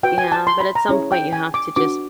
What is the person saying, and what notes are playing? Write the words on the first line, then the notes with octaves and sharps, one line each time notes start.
Yeah, but at some point, you have to just
F#4 B4 G5
G#5
A5
C6
B5
A#5
C#4 E4 G#4 C#5
G5
G#5
D6
D4 F#4 B4 D6